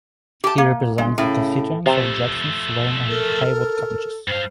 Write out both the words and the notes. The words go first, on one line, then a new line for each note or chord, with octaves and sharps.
He represents the constituents of Jackson, Swain and Haywood counties.
G4 A5
A#3
G1 G#3
A2 C#3
C3 F3 A3
A4 A#4
G2 C5 F5